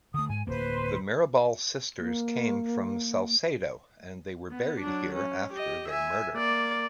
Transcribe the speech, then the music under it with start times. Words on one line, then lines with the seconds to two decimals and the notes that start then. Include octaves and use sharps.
The Mirabal sisters came from Salcedo and they were buried here after their murder.
0.14 D3 A3 D#6
0.29 G#2 G#5
0.47 D1 A#3 B4 C5
2.00 A#3
4.51 B3
4.80 F#3 D4
5.15 C#4
5.53 G4 D#5
5.88 E5 G#5
6.33 A#3 D5